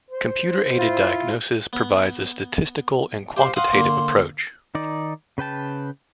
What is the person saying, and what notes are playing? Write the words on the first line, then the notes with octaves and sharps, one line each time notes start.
Computer-aided diagnosis provides a statistical and quantitative approach.
C5
E4 F4
B3
G4 C5 F5
D#5 F5 F#5 C6
D3 A#3
D#3 D#4 D5
C#3 B4 G5 A5